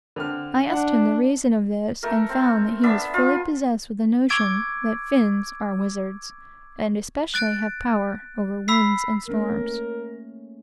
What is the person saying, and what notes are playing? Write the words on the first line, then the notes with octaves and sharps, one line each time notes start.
I asked him the reason of this, and found that he was fully possessed with the notion that Fins are wizards, and especially have power over winds and storms.
D3 C4 F6
D4 F#5
A3 A#4
C4
B3 D4 E5
F4
C#6 D6 E6 G#6 A6 D7
F#6 A6 D7
B5 E6 B6 C7
A3 A#3 C#4 A#4